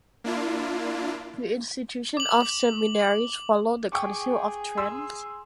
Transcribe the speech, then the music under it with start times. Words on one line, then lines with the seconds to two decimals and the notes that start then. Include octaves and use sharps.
The institution of seminaries followed the Council of Trent.
0.24 A#3 D4 E4 F4
2.17 D6 F#7
3.92 G#4 G5 C#6 D6
4.77 C6 E6